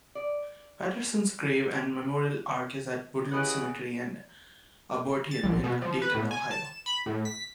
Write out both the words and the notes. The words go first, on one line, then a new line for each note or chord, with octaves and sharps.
Patterson's grave and memorial arch is at Woodland Cemetery and Aborateum in Dayton, Ohio.
D5
C#3 C#4 E4 G4 G#4 B4 D#5 F#5
A6
A#1
B2
F3
B4
A2
G#5
A5
E7
B5
A2
B6